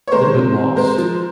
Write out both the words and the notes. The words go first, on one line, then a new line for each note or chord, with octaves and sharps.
little bit lost
C#5
G#3 A#4 C5
C3
C3
G#3 A#4 C5
F3